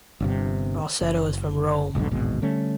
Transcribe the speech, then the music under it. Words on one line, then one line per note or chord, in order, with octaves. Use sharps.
Rossetto is from Rome.
G1 G2 C3
F#1
F1 B1 G#2 D3
D1 G#1 B2 G#3
D3 G3 A3 C#4